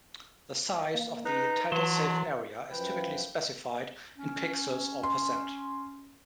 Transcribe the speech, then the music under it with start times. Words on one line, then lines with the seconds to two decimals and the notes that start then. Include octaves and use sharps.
The size of the title-safe area is typically specified in pixels or percent.
0.94 A#3
1.26 D#4 B4
1.72 E3 F#3 A5 C6
2.70 F#2 F3 B4 G5
4.18 C#4
5.03 C6